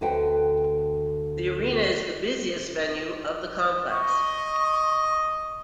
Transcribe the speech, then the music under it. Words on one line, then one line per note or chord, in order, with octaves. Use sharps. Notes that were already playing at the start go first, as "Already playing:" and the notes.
The arena is the busiest venue of the complex.
D2 D3 B4 C5 F#5 G5
D#5 C#6